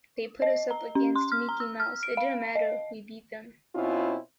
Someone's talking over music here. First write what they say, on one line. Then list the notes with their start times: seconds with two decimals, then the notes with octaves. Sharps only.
They put us up against Mickey Mouse, it didn't matter, we beat them.
0.42 D#5
0.71 A#5
0.95 C#4
1.16 C6
1.32 F6
1.49 A#5
1.60 E6
1.80 F6
2.03 D7
2.17 F5
2.56 D#5
3.75 B2 C4 C#4 E4 F4